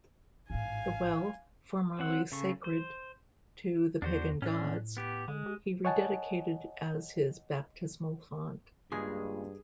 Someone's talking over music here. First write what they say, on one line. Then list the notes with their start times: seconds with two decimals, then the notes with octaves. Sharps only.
The well, formerly sacred to the pagan gods, he re-dedicated as his baptismal font.
0.50 A1 G#2 F5 G#5
1.99 F#3 C4 F#5
2.32 C#3 A4 C#6
2.64 C5
4.02 E2 D4 F#4 C5
4.42 A2 C#4 D4
4.97 B3 G4
5.28 D3 G#3
5.46 G4
5.85 C#5 D#5 F#5 G#5 A5
8.92 C#2 G2 A#2 C#3 G#3 G#4